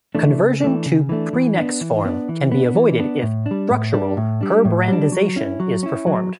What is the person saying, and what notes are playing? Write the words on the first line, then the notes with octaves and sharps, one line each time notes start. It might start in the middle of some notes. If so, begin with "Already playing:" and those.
Conversion to prenex form can be avoided, if "structural" Herbrandization is performed.
E3 A3 D4
C#3
E3 A3 D4
C#3
E3 A3 D4
E3
B3 D4
E3
B3 D4
E3
B3 D4
E3
B3 D4
A2
D4
G3
A2
G3 D4
A2
G3 D4
A2
G3 D4
F#3
C#4 E4
F#3
C#4 E4
F#3